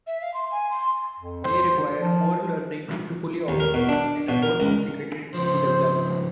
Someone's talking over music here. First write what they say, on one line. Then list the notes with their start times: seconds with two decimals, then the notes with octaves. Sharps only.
They require more learning to fully operate and are more complicated to develop.
0.07 E5
0.21 F5
0.34 C6
0.52 G#5
0.70 C6
1.20 F2
1.44 C5
1.99 F3
3.48 D#2
3.60 A#4
3.74 B2
3.89 D4
4.29 B2
4.42 A#4
4.60 C#2
5.34 C#3 F3 C5